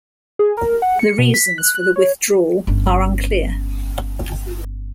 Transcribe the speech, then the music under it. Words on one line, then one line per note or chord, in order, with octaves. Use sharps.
The reasons for the withdrawal are unclear.
G#4
A#4
F#5
C#7
B2
B6
F#6
F#6
C#5
G1 C#4